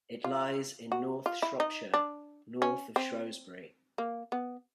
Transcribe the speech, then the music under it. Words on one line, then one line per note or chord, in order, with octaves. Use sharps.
It lies in North Shropshire, north of Shrewsbury.
F4
F#4
F4
E4
D#4
D4
C#4
C4
A#3
B3